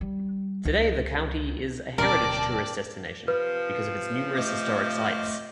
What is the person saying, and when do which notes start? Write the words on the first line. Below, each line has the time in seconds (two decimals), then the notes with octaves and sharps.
Today, the county is a heritage tourist destination, because of its numerous historic sites.
0.01 G3
0.65 C#2
1.98 D1 B2 C#4 A#4 D5 G5 A5 D6
3.28 C3 F3 B4
4.35 A3 D#5 D6